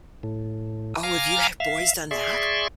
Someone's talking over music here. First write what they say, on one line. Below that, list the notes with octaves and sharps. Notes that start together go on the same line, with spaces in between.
Oh, have you had boys done that?
A2
F5 G#5 A#5 D6 F6
E5 F5
G#4 D5 E5 C6 C#6